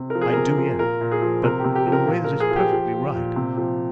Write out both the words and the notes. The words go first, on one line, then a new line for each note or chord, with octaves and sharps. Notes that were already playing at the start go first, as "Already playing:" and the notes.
I do yet, but in a way that is perfectly right.
Already playing: C3
F3 A#4
G#4
C3 A#4
F3
A#2 A#4
A#2
G#4
F3
C3 A#4
C3 G4
G4
F3
A#4
A#2
A#4
F3
G#4
F3
G4
F3
F3
A#2
C3
F3